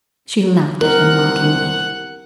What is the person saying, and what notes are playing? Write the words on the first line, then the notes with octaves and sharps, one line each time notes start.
She laughed at him mockingly.
C2 A#4 F#5 F#6